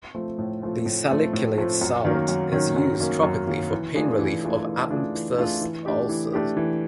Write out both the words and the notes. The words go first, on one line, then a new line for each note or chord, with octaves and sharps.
The salicylate salt is used topically for pain relief of aphthous ulcers.
F3 A3 C4
A2
F3 A3 C4
A2
F3 A3 C4
A2
F3 A3 C4
F#2
D#3 F#3 A#3 C#4
F#2
D#3 F#3 A#3 C#4
F#2
D#3 F#3 A#3 C#4
F#2
D#3 F#3 A#3 C#4
E3
A3 D4 F4 G#4
E3
A3 D4 F4 G#4
E3
A3 D4 F4 G#4
E3
A3 D4 F4 G#4
E3
A3 D4 G4
E3
A3 D4 G4
E3